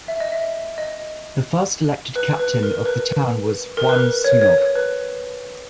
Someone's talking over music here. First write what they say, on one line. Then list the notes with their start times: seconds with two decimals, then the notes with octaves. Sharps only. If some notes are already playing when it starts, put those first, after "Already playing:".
The first elected Captain of the town was Juan Sunog.
0.08 E5
0.20 D#5
0.32 E5
0.78 D#5
2.16 B4
2.39 B4
2.63 A#4
2.86 B4
3.77 A#4
3.89 B4
4.24 C#5
4.42 C#5
4.58 C#5
4.76 B4